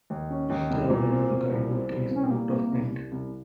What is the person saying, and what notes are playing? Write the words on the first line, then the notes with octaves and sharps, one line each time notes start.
The original guidebook is out of print.
D#2
C#4
D#2
C2
A#2
C4
A#2
C2
C4
C2
C2 C#4
C4
G3 A#3
C3
C2
C2
C2